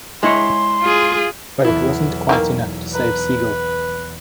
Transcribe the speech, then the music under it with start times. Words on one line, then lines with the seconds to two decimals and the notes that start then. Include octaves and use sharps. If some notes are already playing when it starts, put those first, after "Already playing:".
But it wasn't quite enough to save Siegel.
0.23 G#3 E4 C#5 C6
0.81 F4 G#4
1.65 B1 E2 E4
2.29 D#3 E3 A#3
2.95 B4 A#5